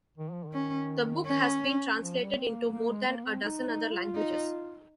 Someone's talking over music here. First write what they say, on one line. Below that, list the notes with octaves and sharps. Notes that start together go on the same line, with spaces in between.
The book has been translated into more than a dozen other languages.
D#3
F3
D#3
C#4
C#4
F3
G3
C4
A#3
A#3
G#3
A#3
C4
D#4
D#4
F4
D#4